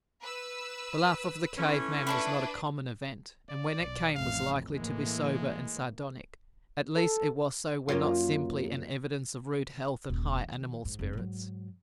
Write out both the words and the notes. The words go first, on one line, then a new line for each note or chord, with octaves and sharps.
The laugh of the cave man was not a common event, and when it came was likely to be sober and sardonic, at least it was so when not simply an evidence of rude health and high animal spirits.
B4 E6
E3 A3 C#4
D4 E4 A4 B4 C#6
D5
B1
A1 F2 F5
A2 E3 G#3 A#3
A4
F#2 A#3 F4
D#1
D#3
G#2
F1
G#2 F#3